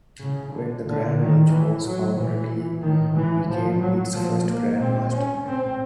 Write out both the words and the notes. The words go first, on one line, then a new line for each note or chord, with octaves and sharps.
When the Grand Lodge was founded he became its first Grand Master.
A2 C#3
D3
A#2 D3
D#3
A2 E3
F#3
A#2 E3
A2 D#3
E3
A2 F3
F#3
A#2 F3
A#3
A#2 C4
C#4
A2 C4